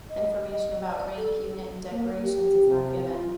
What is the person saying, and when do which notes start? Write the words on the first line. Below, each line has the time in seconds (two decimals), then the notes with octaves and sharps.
Information about rank, unit, and decorations is not given.
0.10 D#5
0.45 D#5
0.91 D5
1.17 A4
1.92 A#3
2.21 G4
2.67 C3
3.05 F4